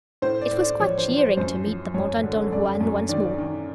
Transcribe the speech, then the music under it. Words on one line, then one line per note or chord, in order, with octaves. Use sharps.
It was quite cheering to meet the modern Don Juan once more.
A2 C5
D5
A2
D5
F3 C#5
C5
F3
C5
F#2 C5
F3
F#2 C#5
D3
F#2 D5
F#2
D#3 D5
D#3